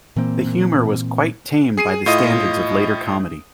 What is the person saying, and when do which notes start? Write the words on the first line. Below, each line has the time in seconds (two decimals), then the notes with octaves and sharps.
The humor was quite tame by the standards of later comedy.
0.16 A#2 E3 A#3 C4
1.77 G#4 C7 D#7
2.06 A2 F4 D#5 D#6